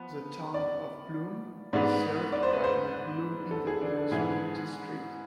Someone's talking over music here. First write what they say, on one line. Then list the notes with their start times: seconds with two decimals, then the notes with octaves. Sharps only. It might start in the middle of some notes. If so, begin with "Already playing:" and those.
The Town of Blum is served by the Blum Independent School District.
Already playing: F3 B3
0.54 D5
1.73 G#2 G#3 B3 D5
2.32 D5
2.43 C5
2.53 B4
2.64 C5
3.51 A4
3.67 G#4
3.81 D4
3.97 A4
4.11 G#2 E3 B3 G#4